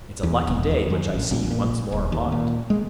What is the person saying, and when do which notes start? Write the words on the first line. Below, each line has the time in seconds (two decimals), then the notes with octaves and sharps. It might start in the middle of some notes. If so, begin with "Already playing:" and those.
"It's a lucky day which I see you once more upon it."
0.23 E2
0.48 E1
0.71 D#2
0.90 F#2
1.14 A1
1.31 A#1
1.51 A#2
1.92 D#1
2.12 D#2
2.32 A#2
2.70 G#3